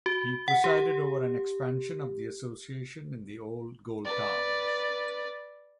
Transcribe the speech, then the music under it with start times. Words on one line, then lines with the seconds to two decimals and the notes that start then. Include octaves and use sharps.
He presided over an expansion of the association in the old gold towns.
0.06 F#4
0.48 F#5
0.64 G4
4.05 B4 D5